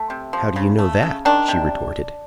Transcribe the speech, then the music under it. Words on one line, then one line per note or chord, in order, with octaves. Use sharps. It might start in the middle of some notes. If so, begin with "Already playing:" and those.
"How do you know that?" she retorted.
Already playing: A3
C3
F3
C#3
A3
C#3
D#3 D4
C3